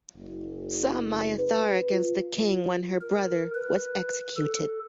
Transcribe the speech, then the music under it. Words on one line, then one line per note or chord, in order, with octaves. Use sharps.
Saw Mya Thar against the king when her brother was executed.
F#1
B4
F4
A#4
B4
A4